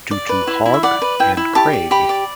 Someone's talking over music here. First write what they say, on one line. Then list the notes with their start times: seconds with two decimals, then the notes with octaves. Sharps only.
Due to Hogg and Craig.
0.11 D5
0.29 B4
0.47 E4
0.66 E4
0.74 E5
0.83 D5 F#5
1.02 B4
1.20 E4 G5
1.37 E4
1.55 G4 A5
1.73 D5
1.91 G4 B5
2.09 D5